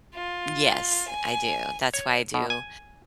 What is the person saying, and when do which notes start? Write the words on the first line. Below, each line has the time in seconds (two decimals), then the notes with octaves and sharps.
Yes. I do. That's why I do,
0.14 F4
1.09 G#5
1.94 C#5
2.34 B2
2.50 G#5